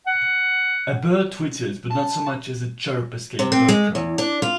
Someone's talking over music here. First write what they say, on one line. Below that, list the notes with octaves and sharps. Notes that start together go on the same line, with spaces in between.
A bird twittered, but not so much as a chirp escaped Bertram.
F#5
A5
C3
C4
G#3
E2
D4
F4